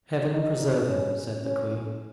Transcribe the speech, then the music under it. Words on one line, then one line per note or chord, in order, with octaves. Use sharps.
"Heaven preserve him!" said the queen.
D#4
C#4
C#4